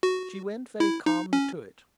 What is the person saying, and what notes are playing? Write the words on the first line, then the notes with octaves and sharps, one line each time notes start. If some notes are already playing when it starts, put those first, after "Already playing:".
She went very calmly to it.
F#4
E4
D#4
C#4